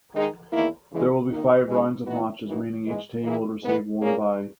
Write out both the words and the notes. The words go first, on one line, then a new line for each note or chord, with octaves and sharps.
There will be five rounds of matches meaning each team will receive one bye.
D#3 G#3 D#4 G#4
E2 D#3 A#3 E4
E2 C#3 E3 G#3
D#3 A#3 D#4
C#3 E3 G#3
E3 B3 D#4 F#4
F#2 E3 A#3 D#4 F#4
G#2 E3 G#3 D#4
E3 A#3 E4 G#4
G#2 E3 B3
A#2 A#3 C#4 G#4